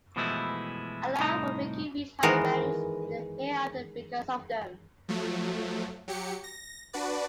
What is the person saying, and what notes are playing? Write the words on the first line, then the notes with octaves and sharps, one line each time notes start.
Allah will make you reach higher ranks in the Hereafter because of them.
B2 E3 F3 G#3 A3 E4
C2 A2 D#4 A#5
D#3 E3 G#3 B3 A#4
F3 F#3 A3
F#3 G4 C#7
A#6
D4 F#4 B4 D5